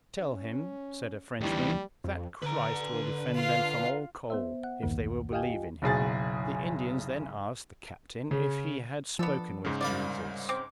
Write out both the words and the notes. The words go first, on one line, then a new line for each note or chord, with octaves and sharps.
"Tell him," said a Frenchman, "that Christ will defend them from all cold, if they will believe in him." The Indians then asked the captain if he had spoken with Jesus.
C#4
D2 E3 G3
F2
D3 B4 A#5
F4 F5
B3 C5 E5
F#5
B1 E2 G2 D#3 A#3
G4 D#5 F5 G5 G#5
F4
F#1 B1 G#4 A6
C#3
F3 B3 D4 A4
G#2 C#3
C2 A#3 D5 B5
C4 D6